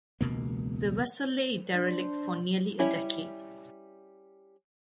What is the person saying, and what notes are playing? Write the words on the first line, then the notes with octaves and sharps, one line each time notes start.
The vessel lay derelict for nearly a decade.
E1 C#2 B2 A#3
D4 C5
G3 C#4 E4 G4